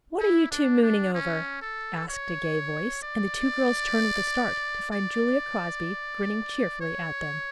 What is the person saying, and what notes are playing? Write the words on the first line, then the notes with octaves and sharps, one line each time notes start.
"What are you two mooning over?" asked a gay voice, and the two girls turned with a start to find Julia Crosby grinning cheerfully at them.
E4
D4
D4
C#4
A4
C#5
D5
D5
C#5